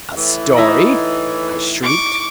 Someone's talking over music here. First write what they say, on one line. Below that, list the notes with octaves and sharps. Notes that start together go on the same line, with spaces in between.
"A story!" I shrieked.
A2 E3
D#4 E4 D#5
C#6 D6